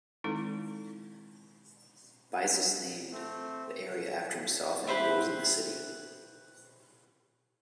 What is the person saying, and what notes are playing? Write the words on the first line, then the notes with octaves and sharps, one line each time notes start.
Byzas named the area after himself and ruled in the city.
D#3 G#3 C4 D#4 E4 A4
A3 C4
G4 B4 C5 E5